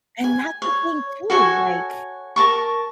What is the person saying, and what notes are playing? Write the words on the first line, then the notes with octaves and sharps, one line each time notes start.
And that's the thing, too, like,
G#5
C#5
F#4 A4 C#5 G#5
A#4 A5 C#6